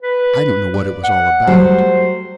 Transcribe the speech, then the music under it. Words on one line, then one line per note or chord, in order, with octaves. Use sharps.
I don't know what it was all about.
B4
D5
F#5
F#3 G3 A3 C5